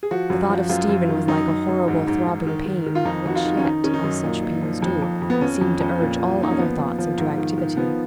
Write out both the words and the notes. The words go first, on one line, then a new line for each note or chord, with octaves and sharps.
The thought of Stephen was like a horrible throbbing pain, which yet, as such pains do, seemed to urge all other thoughts into activity.
G#4
F3 F#4
F#2
F3
F#2 F4
F#2
D#3
F#2 D#4
F#2
F#2
G#2
G#2
G#2
D#3
D#3
D#3
F4
F2 D#4
F2 F#4
F4
D#3
C#4
D#3 D#4
D#3 C#4
D#4
F#2
A#2
A#2
F3
F2
F2
F2
B3
F2 C#4
F2
F2
A#2
F3
A#2 D#4
C#4
F3 B3
F3
F3
G#2
D#3
D#3
F3 B3